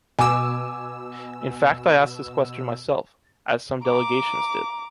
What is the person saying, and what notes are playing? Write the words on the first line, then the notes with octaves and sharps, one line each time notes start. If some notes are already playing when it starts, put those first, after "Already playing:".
In fact I asked this question myself, as some delegations did.
B2 G#5 D6 E6
A#5 D6